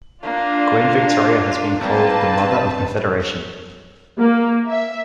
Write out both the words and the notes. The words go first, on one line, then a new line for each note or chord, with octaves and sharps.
Queen Victoria has been called the Mother of Confederation.
A#3 D4 F4
G3 A#3 C4 B4 A5
A#3
E5